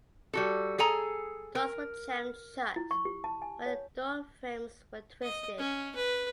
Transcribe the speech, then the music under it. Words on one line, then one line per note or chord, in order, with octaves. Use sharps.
Doors were jammed shut when the door frames were twisted.
G3 F#4 A4
G#4 A4 G#5 A#5
A#4
E4
C#6
G4
A5
G#5
C#5
D#5
C#4
B4